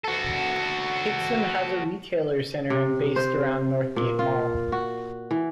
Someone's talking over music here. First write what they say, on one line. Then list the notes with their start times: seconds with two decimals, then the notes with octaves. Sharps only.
Hixson has a retail center based around Northgate Mall.
0.04 F#4 A4
2.70 C3
3.16 C5
3.96 A#2
4.19 F4
4.72 F#4
5.31 E3